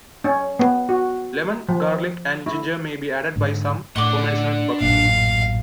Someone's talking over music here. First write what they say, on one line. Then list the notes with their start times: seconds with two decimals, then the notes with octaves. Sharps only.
Lemon, garlic and ginger may be added by some for medicinal purposes.
0.24 C#4
0.59 B3
0.89 F#4
1.69 F3
2.46 E4
3.36 G#2 D3
3.96 A2 D4 F#5 C6 D6
4.81 A1 F#2 A#2 F5